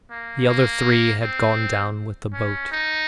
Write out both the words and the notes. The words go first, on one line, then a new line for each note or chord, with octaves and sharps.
The other three had gone down with the boat.
A#3
A#3
C4
C#4
D#4